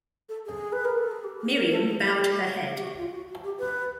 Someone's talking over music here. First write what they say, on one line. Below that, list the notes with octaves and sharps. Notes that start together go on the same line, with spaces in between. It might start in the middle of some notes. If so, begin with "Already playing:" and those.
Miriam bowed her head.
A4
G#4
B4
A#4
A4
G#4
G4
G#4
A#4
A4
G#4
G4
G4
F#4
F4
F#4
F#4
G4
B4